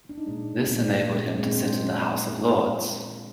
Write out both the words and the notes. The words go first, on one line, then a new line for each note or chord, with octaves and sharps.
This enabled him to sit in the House of Lords.
D4
D#4
A#2 G#3 D4
A#2 G#3
A#2 G#3
A#2 G#3 C4
C4
D4